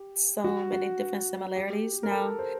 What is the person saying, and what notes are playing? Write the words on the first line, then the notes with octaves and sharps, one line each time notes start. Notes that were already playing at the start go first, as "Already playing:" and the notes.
so many different similarities now.
Already playing: G4
F#4
F#4
G4
A#4
A4
C5